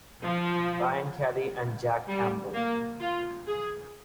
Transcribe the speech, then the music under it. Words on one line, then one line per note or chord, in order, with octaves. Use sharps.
Ryan Kelly and Jack Campbell.
F3
G3
A#3
F4
G#4